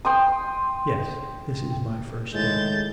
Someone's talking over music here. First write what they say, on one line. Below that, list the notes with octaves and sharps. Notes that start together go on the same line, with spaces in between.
'Yes, this is my first day.'
G5 C6 D#6
A2 D#3 G#3 G6 A6